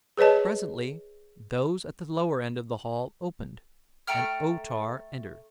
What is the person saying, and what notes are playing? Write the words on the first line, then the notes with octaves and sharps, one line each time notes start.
Presently those at the lower end of the hall opened and O-Tar entered.
G#4 B4 C#5 D#5 A5
A3 G5 A#5 F6